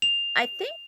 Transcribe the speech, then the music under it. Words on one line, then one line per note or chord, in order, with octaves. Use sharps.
I think
F7